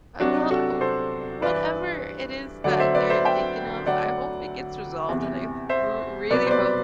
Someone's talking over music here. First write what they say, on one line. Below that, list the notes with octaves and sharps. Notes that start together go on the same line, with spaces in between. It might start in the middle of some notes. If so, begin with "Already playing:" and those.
Uh, well, u whatever it is that they're thinking of, I hope it gets resolved and I h r really hope
C2 C3 F#3 D4 F#4
F#4 A4
A4 C5
G2 E3 B4 D5
D2 D3 F#3 D5 F#5
C5 E5
B4 D5
C5 E5
E5 G5
D2 D3 F#3 D5 F#5
E2 C3 E3
C5 E5
C2 B2 F#3 B4 D5
C5
B4 D5